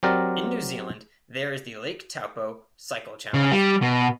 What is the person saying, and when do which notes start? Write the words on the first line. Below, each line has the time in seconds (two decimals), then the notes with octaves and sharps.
In New Zealand, there is the Lake Taupo Cycle Challenge.
0.03 F#3 C4 G4 A#4 D5 G5
3.34 C#3
3.52 G3
3.82 B2